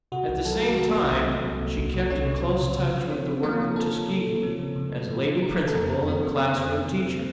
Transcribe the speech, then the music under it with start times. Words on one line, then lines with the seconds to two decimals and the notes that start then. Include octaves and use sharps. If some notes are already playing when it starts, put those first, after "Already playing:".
At the same time she kept in close touch with the work at Tuskegee, as lady principal and classroom teacher.
0.12 C3 F#4
0.28 C2
0.45 F#3 A4
0.52 A#4
0.60 D#3 A4
0.78 C3 A#3 A#4
0.95 C2
1.11 C2
1.28 C3
1.44 C2
1.61 C2
1.78 C2
1.94 C3
2.10 C2 C#4 C#5
2.27 C3
2.44 C3
2.60 C3
2.77 C#3
2.93 F3
3.10 C4
3.26 C4
3.43 F3 A#3 A#4
3.60 C#3
3.76 F3 A4
3.93 F3
4.09 C#3
4.26 C4
4.43 F3
4.59 C#3
4.76 C#3
4.92 A3
5.08 F3
5.26 F3
5.42 F3 A#3 A#4
5.59 F3
5.66 A4
5.75 F2 A#3 A#4
5.92 F2
6.08 F3 C4 C5
6.25 A#3
6.41 A#3
6.58 F2
6.75 C3
6.91 C3
7.08 A#3